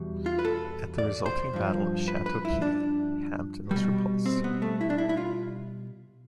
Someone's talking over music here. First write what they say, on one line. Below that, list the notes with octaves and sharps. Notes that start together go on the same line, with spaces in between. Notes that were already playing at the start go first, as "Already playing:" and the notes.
At the resulting Battle of the Chateauguay, Hampton was repulsed.
Already playing: E2 B2 G3
F4
B4
A4
D5
C5
G2 F3
B4
B4
E4
D4
G3
B2
C4
B3
A3
E4
D4
E4
E4
F4